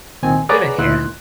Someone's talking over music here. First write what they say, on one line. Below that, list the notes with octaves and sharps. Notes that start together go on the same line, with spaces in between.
Give it here!
C2 A#2 D#3 C4 G#5
G#4 B4 C#5 D5 F#5 A#5
D2 A#2 D#4 E4 C6 F#6